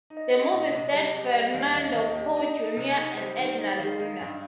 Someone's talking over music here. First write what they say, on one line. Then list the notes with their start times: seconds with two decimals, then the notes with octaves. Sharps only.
The movie starred Fernando Poe Junior and Edna Luna.
0.10 D#4
0.17 D#5
0.30 G4
0.44 D#5
0.51 A#2
0.72 C3
0.93 G3
1.12 G3
1.33 G3
1.54 D#2 F5
1.74 D#2 D#5
1.94 D#2 D#5
2.15 G4 D#5
2.36 D#4
2.56 D#4
2.77 C3
2.98 D#4
3.17 G3 C5
3.39 D#3 C5
3.58 D#4
3.79 D#3 F5
4.00 D#4
4.20 G2